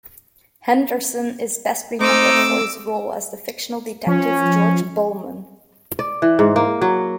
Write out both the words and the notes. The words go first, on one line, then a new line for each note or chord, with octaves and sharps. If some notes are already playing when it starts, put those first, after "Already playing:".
Henderson is best remembered for his role as the fictional detective George Bulman.
A3 C4 D#4 C5 D6 E6
F3 C#4
D5
E3
G#2
A#3
F#3